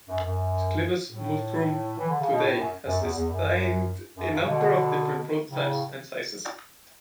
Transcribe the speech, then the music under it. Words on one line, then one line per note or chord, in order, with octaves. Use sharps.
Clivus Multrum today has designed a number of different prototypes and sizes.
F#2
F#2
A2
E3
D3
C#3
B2
A2
F#2
F#2
E2
E2
F#2
F#2
G2
C#3
B2 D3
A2 C#3